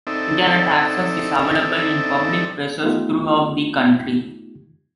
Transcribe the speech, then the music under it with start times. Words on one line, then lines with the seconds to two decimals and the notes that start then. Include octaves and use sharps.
Internet access is available in public places throughout the country.
0.07 C4 D#4 A4 D5 E5
2.83 A3 B3 D#4 F4 G4